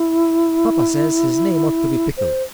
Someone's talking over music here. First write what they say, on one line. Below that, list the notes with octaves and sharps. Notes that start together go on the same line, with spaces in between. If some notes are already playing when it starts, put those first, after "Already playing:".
"Papa says his name ought to be Pickle."
Already playing: E4
C5